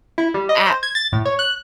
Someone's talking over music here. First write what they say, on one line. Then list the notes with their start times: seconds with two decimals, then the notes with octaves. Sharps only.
at n
0.18 E4
0.34 G3
0.49 D#5
0.66 C5
0.83 G#6
0.95 A6
1.12 A2
1.25 C#5
1.39 F#6